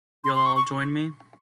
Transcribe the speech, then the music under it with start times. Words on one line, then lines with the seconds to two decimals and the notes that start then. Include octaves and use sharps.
You'll join me?
0.24 C6
0.35 C6
0.46 C#6
0.56 C#6